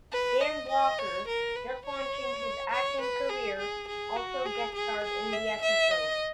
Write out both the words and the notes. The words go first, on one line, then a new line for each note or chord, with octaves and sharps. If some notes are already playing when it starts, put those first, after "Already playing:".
Dan Blocker, just launching his acting career, also guest starred in the episode.
B4
D#5
D#5
C#5
A#4
B4
C#5
C#5
B4
G#4
G#4
G#4
F#4
G#4
G#4
G#4
E5
E5
D#5